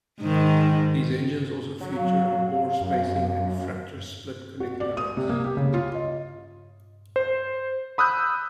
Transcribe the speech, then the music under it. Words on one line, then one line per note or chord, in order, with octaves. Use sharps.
These engines also feature a bore spacing and fracture-split connecting rods.
G#2 D#3
F#3
F5
F#2
F#4
D5
D#6
C3
A#3
G4
C#3
F4
D#5
C5
B5 D#6 E6 F#6 G6